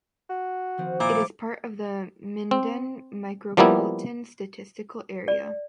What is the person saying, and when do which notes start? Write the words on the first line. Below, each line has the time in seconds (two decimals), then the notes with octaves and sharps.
It is part of the Minden Micropolitan Statistical Area.
0.29 F#4
0.78 D#3 F3 C4
1.00 A#2 E4 D6
2.51 C4
3.57 F3 G3 A#3 B3 E4
5.28 D5